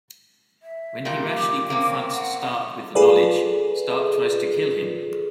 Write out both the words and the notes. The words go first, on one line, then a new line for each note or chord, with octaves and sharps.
When he rashly confronts Stark with the knowledge, Stark tries to kill him.
E5
A#2 G3 A#3
D6
A#3 C4 C#4
F#5
F4 G#4 A4 B4 D5